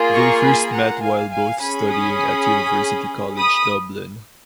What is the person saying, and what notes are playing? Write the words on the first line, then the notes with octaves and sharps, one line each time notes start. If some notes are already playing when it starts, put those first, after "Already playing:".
They first met while both studying at University College Dublin.
Already playing: A#3 F4 G#4
A#5 C#6
G#5 B5
F#5 A#5
F5 G#5
F5 G#5
C#4 G#4 G#5 B5
B5 D#6
B5 D#6